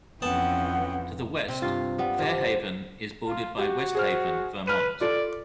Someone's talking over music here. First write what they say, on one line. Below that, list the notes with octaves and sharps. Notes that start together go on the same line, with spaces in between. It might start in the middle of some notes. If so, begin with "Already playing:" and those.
To the west, Fair Haven is bordered by West Haven, Vermont.
F2 E3 B3 C#4 F#5 G5 A5
C3 C4
G2 F4
G3 B3
F3 G4
F4
F#4 G4
G#4 C5 F6
B4 F6 D#7
F4 A4 D5